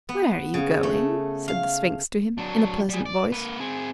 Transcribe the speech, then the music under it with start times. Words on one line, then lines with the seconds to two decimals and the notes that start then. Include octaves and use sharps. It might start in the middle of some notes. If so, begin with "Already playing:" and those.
"Where are you going?" said the Sphinx to him, in a pleasant voice.
0.09 B3
0.54 C#3
0.83 A3
1.48 F5
2.38 F#3 D4
2.89 G3 G#4
3.06 D5
3.32 A#3 B4
3.59 C4 G#4